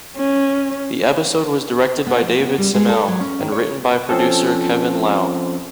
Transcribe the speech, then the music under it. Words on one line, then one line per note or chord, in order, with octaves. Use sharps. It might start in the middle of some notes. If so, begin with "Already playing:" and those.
The episode was directed by David Semel and written by producer Kevin Lau.
C#4
B3
F3
B3
G3
G#3
A4
F#3
C#4
D#3
C#5
F3 C4 C#4 A4